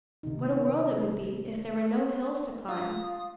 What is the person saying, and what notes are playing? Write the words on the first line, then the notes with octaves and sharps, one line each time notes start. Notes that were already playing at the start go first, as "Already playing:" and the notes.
What a world it would be, if there were no hills to climb!
C3 D#3 D#4
F4 D#6